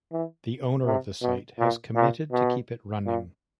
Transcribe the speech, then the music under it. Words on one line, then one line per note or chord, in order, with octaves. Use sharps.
The owner of the site has committed to keep it running.
E3
C3
B2
A#2
A#2
B2
A#2